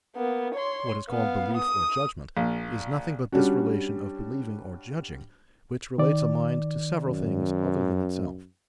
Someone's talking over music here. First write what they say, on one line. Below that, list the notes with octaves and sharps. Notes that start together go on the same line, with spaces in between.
What is called belief or judgement is nothing but this relation of believing or judging, which relates a mind to several things other than itself.
A#3 B3
C#5 C6
B3 F5
D#6
A#1
G3 C#4 D4 F#4
D#3 D5
F#2